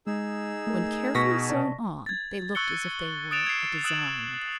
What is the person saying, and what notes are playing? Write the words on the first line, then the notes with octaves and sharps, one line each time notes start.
When carefully sewn on they looked as if they were a design in the stuff.
G#3 D#4 G#4 E6
A3 A#4
B2 C#6 A#6 B6
C3 D5 A5
G#6 A6
C#6 E6 F#6 C#7 G7
D#6 F#6 A6 D7 E7 F7
G#6 C7
D#6 E6 F#6 D7 E7 F#7